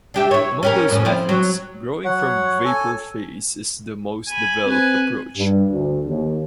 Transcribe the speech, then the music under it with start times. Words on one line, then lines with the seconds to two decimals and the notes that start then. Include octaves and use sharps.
Among those methods, growing from vapor phase is the most developed approach.
0.14 D4 G4 E5
0.31 E4 C#5
0.63 C#4 G4 A#4
0.88 F2 A2 C#4
1.05 F3 C4 E4
1.29 F#3
2.05 F#3 C#5 F#5
2.65 A4 G#5
4.28 G#5 B5
4.66 C4 B4 G#5
5.37 G2
5.71 D2
6.07 D#2